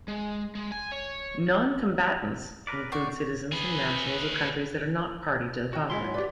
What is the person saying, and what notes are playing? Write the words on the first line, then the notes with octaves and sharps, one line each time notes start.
"Non-combatants" include citizens and nationals of countries that are not party to the conflict.
G#3
G#3
G#5
C#5
A#4 B4 D5
F#4 C5 D5 C#6
G#4 B4
F#4 C#5 G5
G#2 G#3 E4 F4 C6
F#3
F#4 G4 B4 D5